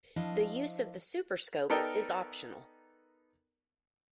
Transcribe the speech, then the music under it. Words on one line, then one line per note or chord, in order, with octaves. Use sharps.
The use of the Super Scope is optional.
F3 D4 E4 D#5 F5
B3 D#4 A4 A#4 D5 G5